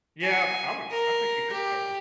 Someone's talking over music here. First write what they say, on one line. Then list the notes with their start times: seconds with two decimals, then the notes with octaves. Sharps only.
Yeah, I would I think you could sell 'em.
0.22 G#5
0.91 A#4
1.52 G4